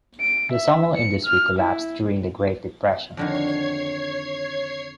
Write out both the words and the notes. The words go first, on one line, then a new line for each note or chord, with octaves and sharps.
The sawmill industry collapsed during the Great Depression.
D7
E5
C#7
F6
E4
F2 D3 D#3 C#5 G#6 C7